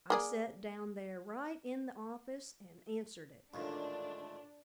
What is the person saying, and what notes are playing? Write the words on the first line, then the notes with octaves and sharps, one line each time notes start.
I set down there right in the office and answered it.
A#3 G#4 D5
A1 D#2 A#2 G#3 A3 D4